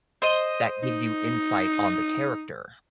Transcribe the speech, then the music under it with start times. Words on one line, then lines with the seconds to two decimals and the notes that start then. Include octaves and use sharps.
that gives you insight on the character.
0.22 C5 D#5
0.83 D#4